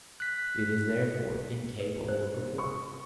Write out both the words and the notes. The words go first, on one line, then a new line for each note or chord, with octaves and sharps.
It is, therefore, incapable of reform.
F#6 B6
B4
C5
G4
C#6